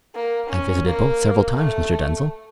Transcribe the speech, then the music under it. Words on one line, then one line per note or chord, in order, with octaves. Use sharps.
"I've visited both several times, Mr. Denzil."
A#3
C#4
A#3
A3